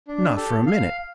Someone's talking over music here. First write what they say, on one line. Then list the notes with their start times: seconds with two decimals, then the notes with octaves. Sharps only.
Not for a minute.
0.08 D4
0.37 G4 A4
0.66 F5